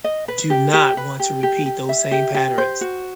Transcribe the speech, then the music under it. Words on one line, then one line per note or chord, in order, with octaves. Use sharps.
do not want to repeat those same patterns.
D#5
B4
G4
G4
B4
G4
G4
G4
E5
G4
G4
C5
F#4